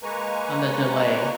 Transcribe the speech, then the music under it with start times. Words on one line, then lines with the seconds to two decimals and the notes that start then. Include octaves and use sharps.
on the delay.
0.03 G#3 A#3 B4 G#5 A#5 C#6